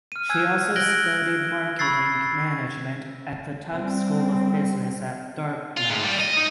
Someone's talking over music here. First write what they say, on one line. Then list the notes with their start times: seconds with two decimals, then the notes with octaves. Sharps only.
She also studied marketing management at the Tuck School of Business at Dartmouth.
0.12 F6 D#7
0.30 G#5 E6 F#6 G#6
0.76 F#6 G#6 A#6 D7 F#7 G7
1.79 B5 C#6 E6 G#6 A6 C7
3.72 G3 C4
5.77 F4
5.90 G#2
6.04 G3
6.20 D#5
6.37 D#4